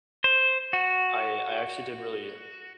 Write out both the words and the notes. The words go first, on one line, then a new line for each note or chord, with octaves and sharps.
I I actually did really
C5
F#4